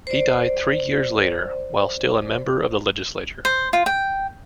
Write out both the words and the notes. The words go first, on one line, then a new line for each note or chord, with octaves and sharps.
He died three years later, while still a member of the legislature.
C5 D5
C5
F4
G5